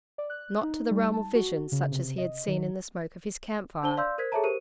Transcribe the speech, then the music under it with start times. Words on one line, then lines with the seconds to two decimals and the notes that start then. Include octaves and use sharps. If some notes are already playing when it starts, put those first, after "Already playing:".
Not to the realm of visions such as he had seen in the smoke of his camp fire.
0.18 D5
0.30 F#6
0.63 D#4
0.91 G3
1.13 A5
1.35 F#4
1.72 C#3
1.91 C3
2.18 D#5
2.47 D#3
3.83 D4 C5 A5 G7
3.97 D5 F5 C6 E6 G6
4.18 A#4 C5 G#6 B6
4.32 G#4 A4 C#5 E5 A5 A#5
4.43 G4 A#4 C5 D#7